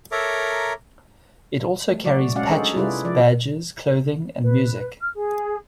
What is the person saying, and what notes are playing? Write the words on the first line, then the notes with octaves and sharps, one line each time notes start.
It also carries patches, badges, clothing and music.
A4 A#4 C#5 E5 A#5 D6
A3
F#3 F#4 D5
G#3 C#4 F#4 D5 F5 F#5
D4 D#4 G#4 A4 C5
C3 E4 F4 G#4 B4 D5
F3 D5
B4
F6
G#4